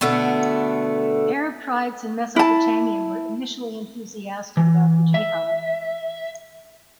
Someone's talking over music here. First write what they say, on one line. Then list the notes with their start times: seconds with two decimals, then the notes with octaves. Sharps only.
Arab tribes in Mesopotamia were initially enthusiastic about the Jihad.
0.01 B2 D3 A3 B3
2.36 E4 A5
4.57 E3
5.14 E5